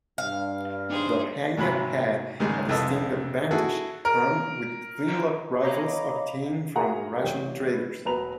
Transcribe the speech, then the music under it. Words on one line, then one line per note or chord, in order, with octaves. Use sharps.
The Haida had a distinct advantage, armed with flintlock rifles obtained from Russian traders.
G2 F5
D4 D#4 G4 G#4 C5
G#2 C3 F#3 B5
C#2 G#2 D#3 G3 G#3 G#4
C2 F2 E3 A4 D#5 E6
E4 F#4 G#4 A4
A#4
C#5 D#5 F5 A#5 B5 D6
F#4 G#4 A#4 E5 F#5 A#5
A1 G4
B4
E1 B3 B4 A#5 F7